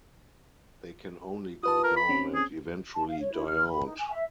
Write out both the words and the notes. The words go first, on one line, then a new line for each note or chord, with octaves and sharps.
They can only go down, and eventually die out.
F4 B4 A5 D#6
A#4
B5
C4 C#4
G#4
A5
F5
C#5
E4
F6
B5
D#4
G#5
E5